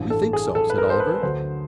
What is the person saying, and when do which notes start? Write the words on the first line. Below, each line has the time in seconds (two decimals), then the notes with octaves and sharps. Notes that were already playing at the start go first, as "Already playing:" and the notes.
"We think so," said Oliver.
Already playing: A1 G2 E3
0.10 A4
0.33 G#4
0.55 A4
0.70 B4
0.78 A#4
0.90 C5
1.00 B4
1.23 D2 D3 F#3 C5